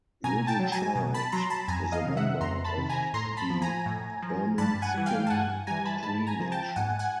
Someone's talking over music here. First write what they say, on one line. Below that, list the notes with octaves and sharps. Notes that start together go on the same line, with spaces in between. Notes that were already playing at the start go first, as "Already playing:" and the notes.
Littlechild is a member of the Ermineskin Cree Nation.
B2 G#5 A#5
G5 A5
F#3
G#5 A#5
B2
A5 B5
F#3 A#5 C6
A5 B5
F2 G#5 A#5
D#5 F5
C3 D#3
E5 F#5
F2 A#5 C6
A5 B5
C3 D#3
G#5 A#5
A2 A#5 C6
A5 B5
F3
G#5 A#5
A2
F3
G2 A5 B5
F#5 G#5
E3 G3
F5 G5
A5
G2 F#5 G#5
E3 G3 G#5 A#5
A5 B5
G#2 A5 B5
G#5 A#5
F3
G5 A5
G#2 F#5 G#5
F#5 G#5